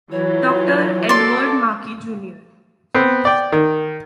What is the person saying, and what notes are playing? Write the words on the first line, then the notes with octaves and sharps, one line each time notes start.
Dr. Edward Maki Jr.
E3 F#3 F4 C#5
F#4 A4 A#4 D5 C6
B3 C4
D5 G5
D#3